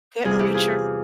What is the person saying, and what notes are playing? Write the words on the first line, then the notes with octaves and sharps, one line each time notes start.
Didn't reach her.
E2 C3 G3 F4 G#4
E4 G4
F4 G#4